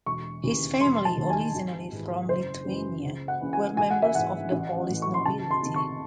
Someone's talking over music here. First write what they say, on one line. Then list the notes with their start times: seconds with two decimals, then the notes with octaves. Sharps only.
His family, originally from Lithuania, were members of the Polish nobility.
0.06 E1 C#6
0.43 D#2 C#3 E3
0.81 E1 C6
0.95 C6
1.05 A5
1.17 D#2 D#3
1.30 G#5
1.55 G#1
1.92 G#2 E3
2.29 F#1 C5
2.66 F#2 E3
3.03 C#2
3.28 F#5
3.41 C#3 E3
3.53 G#5
3.77 A1 G#5
3.90 F#5
4.02 E5
4.15 G#2 E3 F#5
4.52 A1
4.89 A2 E3
5.02 C#6
5.14 C6
5.26 C#2 A5
5.51 C6
5.63 C3 D#3
5.76 C#6